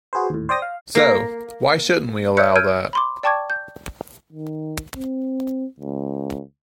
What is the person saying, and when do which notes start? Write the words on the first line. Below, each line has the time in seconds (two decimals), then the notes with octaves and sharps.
So, why shouldn't we allow that?
0.13 F#4 G#4 B4 C5
0.30 D#2 A2
0.49 C5 D5 G5 D#6 A#6
0.62 F5
0.95 A#3
2.37 C#5 E5 E6 F#6 G6 C#7
2.56 E6 F6 G6 G#6 D7 D#7
2.93 B5 C6 D6
3.23 D5 G5 A5 C#6 D6 G#6
3.50 G6
4.32 D#3
4.95 C4
5.80 C#2